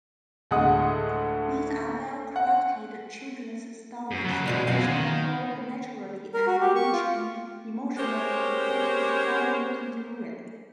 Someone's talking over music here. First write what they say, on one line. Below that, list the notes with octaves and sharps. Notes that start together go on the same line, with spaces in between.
These are well-crafted children's stories, which unfold naturally and reach an emotionally satisfying conclusion.
D2 A2 G#3 F#5 D#6
F#5
F#2
C#3 F#3
G2 B2 E3 F3 G#3
F#2 G#3 B3 F5 G#5
D#3
A#4
F#4
G4
C#6
F4
G#3 C#4 G4 A#4 C5 C#5